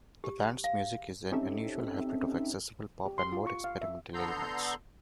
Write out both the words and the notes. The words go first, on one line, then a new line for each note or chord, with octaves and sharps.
The band's music is an unusual hybrid of accessible pop and more experimental elements.
G4
F5
C4 C#4 D#4 G4 A4 E5
G4
C6
F4
C#6
F5
E5
D3 B3 A4 A#5 C6 G6